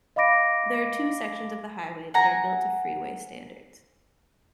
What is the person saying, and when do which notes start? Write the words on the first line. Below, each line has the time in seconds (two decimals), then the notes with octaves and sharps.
There are two sections of the highway that are built to freeway standards.
0.16 D#5 F5 B5 D6 A#6 D7
2.14 F#5 G#5 A#5